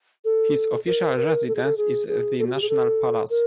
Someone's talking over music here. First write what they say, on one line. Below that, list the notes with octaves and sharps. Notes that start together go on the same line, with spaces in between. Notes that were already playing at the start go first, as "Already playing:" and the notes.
His official residence is the National Palace.
A4
A#4
A#4
A4
G#4
A4
G#4
G#4
A4
F#4
G4
G#4
A4
A#4